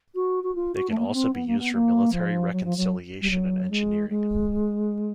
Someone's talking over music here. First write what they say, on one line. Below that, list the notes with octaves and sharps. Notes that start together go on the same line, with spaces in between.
They can also be used for military reconciliation and engineering.
F#4
F#4
F4
F#4
A3
A#3
B3
C4
B3
A#3
B3
A#3
F3
F#3
F3
F#3
G3
F#3
G#3
G#3